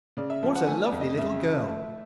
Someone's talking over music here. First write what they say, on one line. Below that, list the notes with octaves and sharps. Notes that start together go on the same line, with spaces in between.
'What a lovely little girl!
C#3 D5
E5
F3
F#5
A3 G#5
D5
F2
D#5
C#3 E5
F3
A3